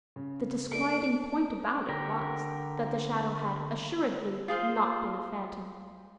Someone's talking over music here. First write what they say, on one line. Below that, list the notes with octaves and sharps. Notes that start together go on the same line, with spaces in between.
The disquieting point about it was, that the shadow had assuredly not been a phantom.
C#3
A3 A#3 D4 D7
D3 G4 A#4
F4 G#4 C5 F5